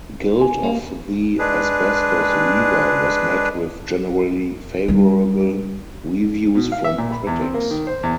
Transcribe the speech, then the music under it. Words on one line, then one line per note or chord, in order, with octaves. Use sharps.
Guild of the Asbestos Weaver was met with generally favorable reviews from critics.
G#5
A#3
G#3 D4 G#4 B4
G3 E4
B2
F5
E5
A#2
B5
E2
C4
A#3
D#3
C5
E2